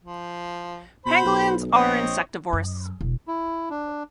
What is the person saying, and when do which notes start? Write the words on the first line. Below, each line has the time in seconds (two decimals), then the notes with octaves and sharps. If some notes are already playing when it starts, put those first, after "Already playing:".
Pangolins are insectivorous.
0.04 F3
1.06 B2 C5 B5
1.24 B1
1.72 A#1 C4 C#5 D#5
2.53 F#2
3.01 E1
3.27 E4
3.70 D4